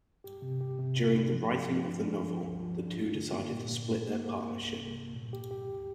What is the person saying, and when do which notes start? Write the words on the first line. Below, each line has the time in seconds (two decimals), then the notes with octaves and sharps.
During the writing of the novel, the two decided to split their partnership.
0.24 G4
0.42 C3
0.61 G4
0.79 C3
0.97 C3
1.15 D4
1.33 F3
1.52 G4
1.69 F3
1.88 D4
2.05 D4
2.23 F3
2.42 D2
2.60 F3
2.78 D4
2.97 F4
3.15 D3
3.33 A#3
3.51 A#2
3.69 A#2
3.87 A#2
4.06 A#3
4.24 A#3
4.42 A#3
4.60 C2
4.78 C2
4.96 C2
5.14 A#2
5.33 G4
5.51 G4
5.69 D2